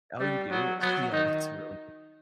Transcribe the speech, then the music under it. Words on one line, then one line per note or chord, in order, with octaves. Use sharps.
Oh, you do? Yeah, that's really g
G3 A3
F#3 B3
F#3 B3
D#3 D#4